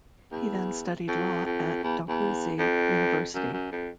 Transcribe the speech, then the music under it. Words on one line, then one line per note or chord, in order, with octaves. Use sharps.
He then studied law at Dalhousie University.
E2
F2
F2
E2
E2
F2
F#2
F#2
F2